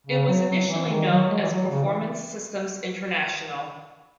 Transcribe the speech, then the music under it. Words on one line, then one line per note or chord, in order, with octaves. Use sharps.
It was initially known as Performance Systems International.
C#3
F#3
F#3
E3
D#3
F#3
G#3
E3
F#3
C#3
E3